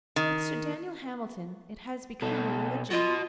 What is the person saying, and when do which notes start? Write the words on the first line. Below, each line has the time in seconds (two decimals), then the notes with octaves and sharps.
With Sir Daniel Hamilton it has become a religion.
0.16 D#3
2.22 B2 A4
2.91 F4 F#4 D#5